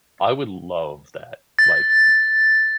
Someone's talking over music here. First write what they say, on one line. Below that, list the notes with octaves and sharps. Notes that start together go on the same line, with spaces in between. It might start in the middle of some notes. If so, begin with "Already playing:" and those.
I would love that, like
A6